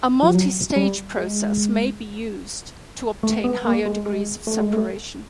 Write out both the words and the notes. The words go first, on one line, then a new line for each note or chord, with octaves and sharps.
A multistage process may be used to obtain higher degrees of separation.
F3
F#3
G3
G#3
A3
B3
A#3
G#3
G#3
A3
G#3
A3